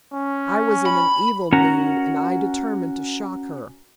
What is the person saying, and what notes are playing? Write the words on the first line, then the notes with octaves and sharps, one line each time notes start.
I was in an evil mood, and I determined to shock her.
C#4
B5
C#4 F#4 A#4 F#5 A#5